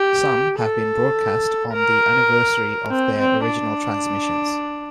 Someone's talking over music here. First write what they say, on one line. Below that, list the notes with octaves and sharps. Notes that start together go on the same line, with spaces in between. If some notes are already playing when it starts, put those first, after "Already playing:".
Some have been broadcast on the anniversary of their original transmissions.
Already playing: G4
A4
A#4
C4
C4
D4